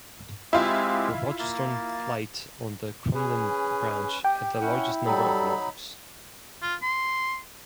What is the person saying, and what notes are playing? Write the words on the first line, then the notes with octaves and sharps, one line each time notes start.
The Rogerstone flight on the Crumlin Branch had the largest number of locks.
G#3 C4 E4 F4 G4
A#3 A6
C#4 G#4 B4
G4 G5
C#4 E4 F#5
F#3 G3 D#4 A4 B5
F4
C6